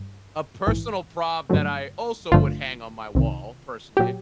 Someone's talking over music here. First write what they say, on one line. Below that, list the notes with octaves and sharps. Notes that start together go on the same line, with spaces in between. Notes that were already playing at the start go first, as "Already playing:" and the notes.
A personal prop that I also would hang on my wall, personally,
Already playing: G2
A#1 G#2 E3
G2 D3 F#3 A3
G#1 G2 D3 F3 A3 F4
C2 C3 D#3
A#2 F#3 G4